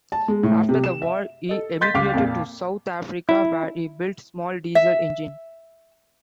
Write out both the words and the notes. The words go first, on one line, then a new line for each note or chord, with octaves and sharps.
After the war, he emigrated to South Africa where he built small diesel engines.
A5
G#3
A2
C3
E7
E5
A4 D#5
D#5 C6 G6 A6 B6
C#2 F5 D6
F2 A#2 F5
E4
E5